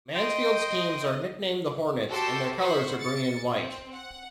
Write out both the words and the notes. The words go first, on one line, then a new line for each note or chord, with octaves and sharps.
Mansfield's teams are nicknamed the Hornets, and their colors are green and white.
C5 D#5 G5
F#4 G4 A4 G5 A5 C6
C5 F#5 B5 C#6
A6 C#7
C4
F#5